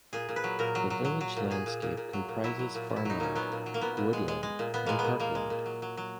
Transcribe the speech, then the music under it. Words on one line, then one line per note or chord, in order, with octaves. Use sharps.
The village landscape comprises farmland, woodland and parkland.
A#2 G#4
A#2
B4
F#3
A#2 A#4
F#3
F#3
F#3
F#3
A#2
A#2 G#4
A#2
A#2
A#2
F#3
A#2
F#3 E4
F#3
A#2
A#2
E4
F#3 D#4
A#2 C#4
F#3 B3
A#2
F#3
A#3
A#2 B3
A#2
G#3
G#3
G#3
A#2
A#2 B3
G#3 A#3
B3
A#2
A#2 A#3
G#3
A#2
F#3
F#3
F#3